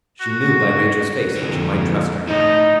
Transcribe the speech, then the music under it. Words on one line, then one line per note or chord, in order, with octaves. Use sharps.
She knew by Rachael’s face that she might trust her now.
F#4
F2 D3
A2 D#4